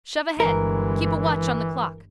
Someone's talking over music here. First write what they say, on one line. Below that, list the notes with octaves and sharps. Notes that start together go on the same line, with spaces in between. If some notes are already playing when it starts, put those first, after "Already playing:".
Shove ahead. Keep a watch on the clock.
G1 E3 G#3 A#4